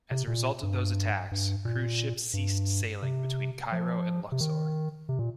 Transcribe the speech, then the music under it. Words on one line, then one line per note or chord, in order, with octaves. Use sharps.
As a result of those attacks, cruise ships ceased sailing between Cairo and Luxor.
C3
A#2
G2
G2
A#2
G2
C3
F3
C3
D#3
C3
A#2